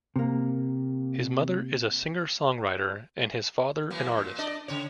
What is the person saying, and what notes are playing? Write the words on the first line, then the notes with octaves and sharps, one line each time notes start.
His mother is a singer-songwriter and his father an artist.
C3 A#3
E3 F#3 A#3
A#2
D4 D5 D#5
C#3 C#5